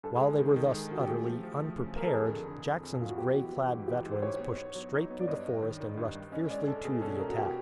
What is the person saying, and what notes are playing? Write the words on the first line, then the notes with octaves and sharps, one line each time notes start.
While they were thus utterly unprepared Jackson's gray-clad veterans pushed straight through the forest and rushed fiercely to the attack.
G2 A4
G#4
G#3
A4
D#3
D#3
G#3
D#3 F#4
G4
A3 G#4
F3
F3
A3
C#3
E2 A#4
A4
F2 G#4
D3
D3
F2
F2
F#3 F4
F#4
B3 G4
E3 F#4
E3
G#2 F#4
E3 G4
G#2
C5
D#4 C#5
B3
B3
F#3
D#4
B3
D5
G2 D#5
G2
D#3
D#3
G2
G2
C#4 D#5
G#3 D5
G#3 A4
B2 G#4
C#4 A4
B2 A#4
F#4
G4